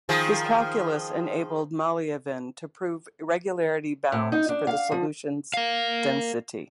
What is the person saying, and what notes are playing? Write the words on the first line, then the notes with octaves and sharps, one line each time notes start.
His calculus enabled Malliavin to prove regularity bounds for the solution's density.
D#3 F3 G#4
A2
D#4
D4
F5
F3
A#4 F5